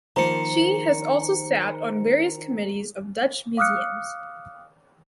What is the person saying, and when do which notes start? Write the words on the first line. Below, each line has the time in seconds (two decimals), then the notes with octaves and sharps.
She has also sat on various committees of Dutch museums.
0.16 D#3 F3 A#3 F4 A#4 C5 A#5 C#7
3.57 F5 D6 D#6 F6 F#6 C#7